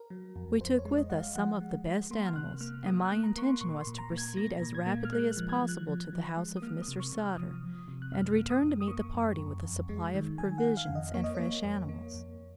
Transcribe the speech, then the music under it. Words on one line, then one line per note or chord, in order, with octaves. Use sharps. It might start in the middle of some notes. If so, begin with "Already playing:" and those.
We took with us some of the best animals, and my intention was to proceed as rapidly as possible to the house of Mr. Sutter, and return to meet the party with a supply of provisions and fresh animals.
Already playing: A#4
F#3
F2
F2 C5
C#5
G#3
D#5
G#3 F#5
F5
F3 F#5
G#3
G#3
A#3 C6
F6
C3 F#6
A#3 F6
A#3 D#6
F#6
A#3
A#5
A#3 C#6
C6
A#2 C#6
C6
A#2
A#5
A#3
G#6
A#2 A#6
A#2
G#6
A#3
F6
G#3 F#6
F#6
F3
G#6
F3
F#6
F3
F3
G#3
D#6
A#3 F6
D#6
C3
C#6
C3
F6
F3 D#6
F3
C3
F#6
F#2 F6
A#3
D#6
F#2
D#6
A#3 C#6
F#2
F#2
F2
G#3
D#3
D#3 G#5
F#5
D#3
F5
F2
D#5
A#3 C#5
D#5
A#3 C#5
F2
A#3
F2